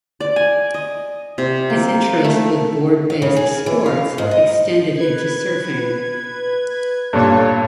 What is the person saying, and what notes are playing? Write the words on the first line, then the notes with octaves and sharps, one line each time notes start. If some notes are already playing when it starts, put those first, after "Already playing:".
His interest with board based sports extended into surfing.
D5
G#5
D#5
C3
A#3
A3
F5
C#3
G#4
E3
F5
G#2
D#5
B4 G#6
G2 A#2 A4 C#5